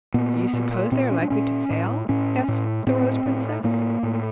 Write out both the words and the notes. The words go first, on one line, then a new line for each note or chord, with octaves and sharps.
"Do you suppose they are likely to fail?" asked the Rose Princess.
A#2 B3
A#2
A#2 C4
C#4
D4
A#2 C#4
A2
A2 C#4
A2
A2 C4
A2
A2 A#3
A2